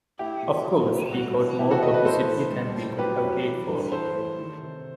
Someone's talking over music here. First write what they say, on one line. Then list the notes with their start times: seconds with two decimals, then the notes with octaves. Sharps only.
Of course, we got more publicity than we could have paid for.
0.19 A3 E4 G4
0.43 B2
0.66 F#3
0.89 A2
1.13 G3 F#4
1.35 A2
1.59 E3 E4 G4
1.71 F#4 A4
1.82 A2 B4 D#5
1.94 B4 D#5
2.05 E3 A4 C5
2.29 A2
2.53 G3
2.75 A2
2.99 F#3 G4 B4
3.22 F#2
3.46 E3
3.69 G2
3.92 E3 A4 C5
4.15 A2
4.39 D#3
4.62 C3